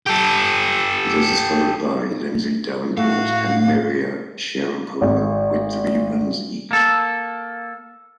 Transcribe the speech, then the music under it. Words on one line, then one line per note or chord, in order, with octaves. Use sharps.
This is followed by Lindsay Davenport and Maria Sharapova with three wins each.
G4 A4
A2 A3 F#4 F5
G#1
A#3 A4